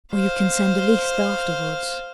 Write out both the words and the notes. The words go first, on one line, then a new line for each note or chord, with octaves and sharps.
Or you can send a list afterwards.
C5 F5